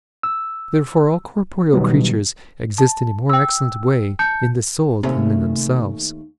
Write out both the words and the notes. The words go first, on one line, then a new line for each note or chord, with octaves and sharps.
Therefore all corporeal creatures exist in a more excellent way in the soul than in themselves.
E6
B2 D#3 F#3 G3 B3
A5
G5 E6
A5 G6 C#7
D#2 C3 A3 C#4